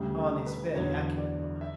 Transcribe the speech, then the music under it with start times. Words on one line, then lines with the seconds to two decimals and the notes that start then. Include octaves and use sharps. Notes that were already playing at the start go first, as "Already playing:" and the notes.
"Hahn is fairly accurate, Moa."
Already playing: D2 C#3 G3 G4
0.18 A4
0.46 B4
0.75 E2 D3 F#3 C#5
1.18 D5
1.61 E5